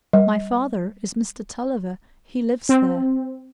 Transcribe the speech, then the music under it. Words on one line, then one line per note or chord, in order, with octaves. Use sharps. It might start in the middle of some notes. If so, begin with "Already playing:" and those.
"My father is Mr. Tulliver; he lives there."
G3
C4